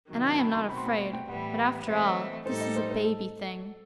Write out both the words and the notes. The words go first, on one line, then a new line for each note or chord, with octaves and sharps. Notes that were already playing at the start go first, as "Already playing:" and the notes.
And I am not afraid. But after all, this is a baby thing!
C3 D#3 F#3
A5
B5
C6
B2 A3 C4 F#4 B5
C6
B5
B5
G5
A2 E3 G3 B3 F#5
E3 A3 C4 E5
E5
D#5
A2 G3 D#4 A4 C5
D#5
C5
C5
A4